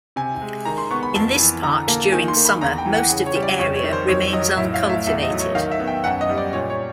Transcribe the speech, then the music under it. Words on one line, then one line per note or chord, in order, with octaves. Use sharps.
In this part during summer most of the area remains uncultivated.
C3 G#5
G#3
D#3 A#5
C6
B3 C#6
B5
F2 A5
E3
D3 A#5
A#3 A5
D#3 G#5
C6
A#3
B5
E2 A#5
G5
E3
F#5
C#3
C#5
G3
D5
F2 C#5
C#5
D#3
C5
F2 C#5
F#3 D#5
A2 E5
F5
A3
E5
E2 E5
D#5
F#3
C#5
D#3 F5
E5
B3
G5
F#2 F#5
D#5
G3
D5
A#2 C#5
C#5